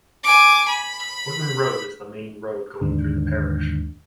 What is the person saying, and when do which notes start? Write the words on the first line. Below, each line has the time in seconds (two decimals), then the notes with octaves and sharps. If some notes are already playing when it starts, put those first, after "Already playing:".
Horton Road is the main road going through the parish.
0.23 G#5 D6
0.68 B5
2.81 D#2 G#2 D3